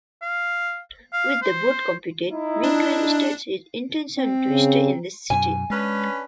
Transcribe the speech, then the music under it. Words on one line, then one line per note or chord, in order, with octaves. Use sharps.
With the boat completed, Miguel states his intention to stay in the city.
F5
F5
C5
D#4 E4
D4
C4
C#3
F#2 B2 G#5
G#3 C#4 D4 B4